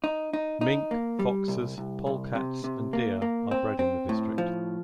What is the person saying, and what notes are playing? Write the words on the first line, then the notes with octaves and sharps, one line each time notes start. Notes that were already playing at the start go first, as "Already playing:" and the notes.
Mink, foxes, polecats, and deer are bred in the district.
D#4
D#4
D#4
A#3
G3
C2
C2
C2
C3
C3
A#3
A#3
C4
C4
A2
F3